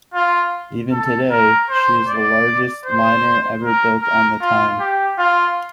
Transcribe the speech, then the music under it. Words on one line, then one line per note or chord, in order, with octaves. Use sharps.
Even today, she is the largest liner ever built on the Tyne.
F4
A4
A#4
C5
D5
C5
A#4
A#4
F4
G4
F4